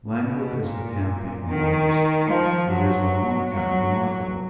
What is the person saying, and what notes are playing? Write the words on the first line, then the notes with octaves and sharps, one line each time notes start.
Languid as the campaign was, it is on one account remarkable.
B2
A#2
D#3
F3
F#3
F#3